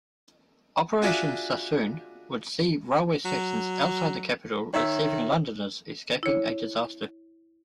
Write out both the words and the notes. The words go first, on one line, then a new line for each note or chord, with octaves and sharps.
Operation Sassoon would see railway stations outside the capital receiving Londoners escaping a disaster.
D4 F4 F#4 G#4 D5 E5
F#3
D#3 C#5 E5
E4 C#5